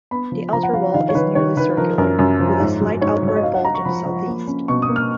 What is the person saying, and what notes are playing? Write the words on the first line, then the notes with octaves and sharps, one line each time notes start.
The outer wall is nearly circular, with a slight outward bulge in the southeast.
B3 B5
F3
F3 A#5
F#5
F3 F5
D#3 F5
C#5
D#3 B4
D#3 C#5
D#3 B4
F3 A#4
F#2 A#4
F#2
F3
G#2
F#3
G#2 C#5
F#3
C#5
D#5
D#4 F5
F#5
D#4 A#5
C#6
F3 B5
F3
A#3
C#4
B2 C#6
D#6
A#3
F6